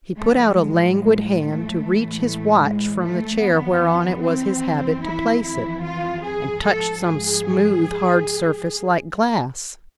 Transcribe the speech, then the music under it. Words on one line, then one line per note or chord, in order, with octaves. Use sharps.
He put out a languid hand to reach his watch from the chair whereon it was his habit to place it, and touched some smooth hard surface like glass.
A2 F3 A3
G#3
A3
A2 E3
A3
G#3
A3
F2 E3 B3
C4
F2 E3 E4
E4
F4
G#4
G#2 F3 A4
G#4